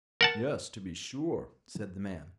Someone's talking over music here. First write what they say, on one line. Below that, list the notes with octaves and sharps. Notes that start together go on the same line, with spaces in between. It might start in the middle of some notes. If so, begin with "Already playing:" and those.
'Yes, to be sure', said the man.
A#4 F#5 A5